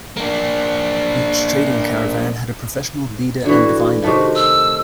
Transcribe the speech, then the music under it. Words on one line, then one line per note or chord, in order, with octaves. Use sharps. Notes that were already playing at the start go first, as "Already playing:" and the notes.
Each trading caravan had a professional leader and diviner.
A#3 D4
D3 E3 F#4
C3 D#3 A3 F#4
E6